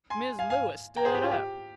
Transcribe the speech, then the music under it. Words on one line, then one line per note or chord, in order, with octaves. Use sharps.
Mrs. Lewis stood up.
G#5 C6
F5 G#5
F5 G#5
G5 A#5
G#4 C5
G4
F4
G4